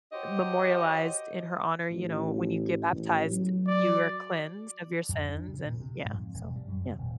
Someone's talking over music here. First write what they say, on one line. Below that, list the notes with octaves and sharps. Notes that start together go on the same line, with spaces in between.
memorialized in her honor. You know, when you get baptized, you are cleansed of your sins and yeah. So, yeah.
F#4 G4 C5 C#5 D#5
A1
A1
F#3
D5
F2
D4
C#3
A#2
C3
G#2
F2
E1
G3
F#2
C3
D#1